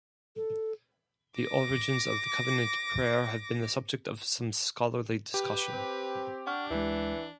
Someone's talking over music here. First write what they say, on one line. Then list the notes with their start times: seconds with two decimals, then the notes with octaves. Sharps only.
The origins of the covenant prayer have been the subject of some scholarly discussion.
0.36 A4
1.40 D6 A#6
5.34 G4 B4
5.73 C4
6.47 D4 F#5 C#6 F6
6.71 D2 E3 G#3